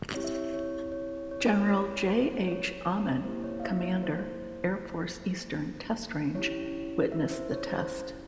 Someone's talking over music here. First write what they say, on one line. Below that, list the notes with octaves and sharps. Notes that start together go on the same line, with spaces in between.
General J. H. Ahmann, Commander, Air Force Eastern Test Range, witnessed the test.
C4 E4 G4 C#5
E5
C#5
C#5
C#5
C#5
C#5
C5
C#5
A#3 E4 G4 C5
C#5
F5
E5
C#5
C5
C#4 E4 G4 C#5
E5
C5
C#5
C5